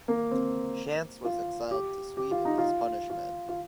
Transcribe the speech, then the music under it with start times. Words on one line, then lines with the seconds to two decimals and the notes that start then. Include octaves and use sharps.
Schantz was exiled to Sweden as punishment.
0.08 A#3
0.31 C4
1.25 F4
1.71 G4
2.17 G4
2.31 F4
2.45 D#4
2.58 F4
3.10 F4
3.49 F4